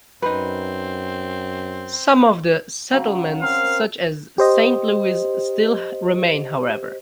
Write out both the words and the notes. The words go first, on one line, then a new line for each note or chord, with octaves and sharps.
Some of the settlements, such as Saint Louis still remain however.
F#2 C4 D#4 B4
C#3 F#3
C4 A#4 F5
G4 C5 D#5